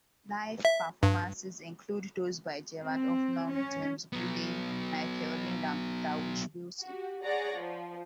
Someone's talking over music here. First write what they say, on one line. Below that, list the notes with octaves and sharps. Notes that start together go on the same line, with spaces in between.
Live performances include those by Gerard Hoffnung, James Gourlay, Michael Lind, and Peter Whish-Wilson.
E5
G2
C4
C#4
F#3 B3
F#4 G4
G#4 C#5 D5 F#5 A#5
F3